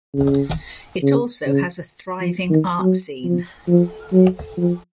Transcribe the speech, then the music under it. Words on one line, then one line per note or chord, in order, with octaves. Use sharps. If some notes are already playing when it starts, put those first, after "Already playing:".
It also has a thriving art scene.
C#3
C#3
C#3
F3
D#3
F#3
F3
F3
F#3
F3